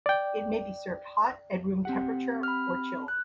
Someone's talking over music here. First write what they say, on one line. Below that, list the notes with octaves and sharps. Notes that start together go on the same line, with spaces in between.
It may be served hot, at room temperature or chilled.
D5 G5
C4 G4 F#5
B5 F6
F#6